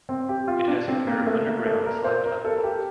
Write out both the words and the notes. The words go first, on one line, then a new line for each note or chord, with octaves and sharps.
It has a pair of underground side platforms.
C4
G4
F4
D4
C4
A#3
A3
A#3
A4
A#4
C5
A#4
A4
G4